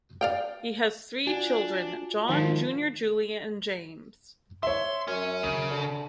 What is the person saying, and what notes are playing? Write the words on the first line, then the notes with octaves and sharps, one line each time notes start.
He has three children, John Junior Julie, and James.
D5 F5 G5
D4 F4 F#4 G#5
G#2 D#3 F3 C4
C#5 E5 C6
F#2 C#4
C#3 D#7
D3